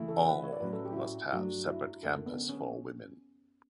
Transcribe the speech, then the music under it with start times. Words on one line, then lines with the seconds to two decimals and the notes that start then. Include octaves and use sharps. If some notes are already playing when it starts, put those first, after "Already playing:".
All must have separate campus for women.
Already playing: D2 C#3 E3 A3 E4
0.08 A4
0.25 B4
0.43 C#5
0.52 D5
0.60 A2 F#3 C#4 B4
0.73 A4
0.85 G4
0.93 E4
0.97 F#4
1.32 G2 F#3 A3 D4
1.67 E4
2.02 F#2 D3 A3
2.26 B3
2.37 C#4
2.49 C#4